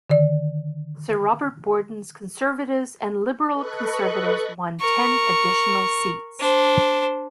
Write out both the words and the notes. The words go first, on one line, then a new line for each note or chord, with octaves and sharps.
Sir Robert Borden's Conservatives and Liberal-Conservatives won ten additional seats.
D3 D#3 D5
A4 B4 D#5 C#6 F#6
A#4 C#6
D4 C5